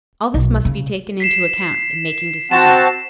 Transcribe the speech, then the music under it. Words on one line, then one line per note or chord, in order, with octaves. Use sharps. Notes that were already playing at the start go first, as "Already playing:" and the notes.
All this must be taken into account in making decisions.
B1
C#3
B6 C7 E7
C4 F#4 A5 E7